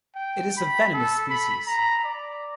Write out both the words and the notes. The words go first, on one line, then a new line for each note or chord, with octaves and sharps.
It is a venomous species.
G5
B5
A4
B5
A#5
D5